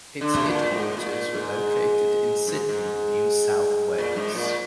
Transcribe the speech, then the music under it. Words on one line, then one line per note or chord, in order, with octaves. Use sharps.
Its headquarters were located in Sydney, New South Wales.
D3
C3
A#2
G#2
A#2
G#2
G#2
G#2
A#2
G#2
A#2